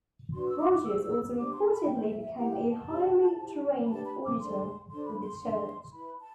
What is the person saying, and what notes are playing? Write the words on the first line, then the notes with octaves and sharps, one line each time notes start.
Rogers also reportedly became a highly trained auditor with the church.
D4 F#4 B4 C6
E6
D6
D6
F#4 C5 E6
D4 G4 C5 D6
C6
B5
E4 A4 C5 G5
E5
E5
E4 G4 C5 F#5
G5
A5
D4 G4 C5
E4 G4 C5
B5
D4 G4 B4 A5
B5
D6
D4 A4 C5 C6
D4 A4 C5 C6
B5
C6
D4 A4 C5 C6
E4 B4 B5
A5